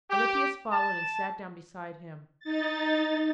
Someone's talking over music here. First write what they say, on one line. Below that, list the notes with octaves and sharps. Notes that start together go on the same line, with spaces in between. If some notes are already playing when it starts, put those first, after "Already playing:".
Alypius followed and sat down beside him.
G4
A5
D#4 A6